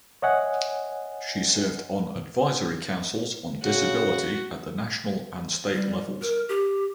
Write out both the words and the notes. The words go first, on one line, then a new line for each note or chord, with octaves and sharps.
She served on advisory councils on disability at the national and state levels.
C#5 D#5 E5 F#5 G#5
C#3 F#4
G3
A#4
G4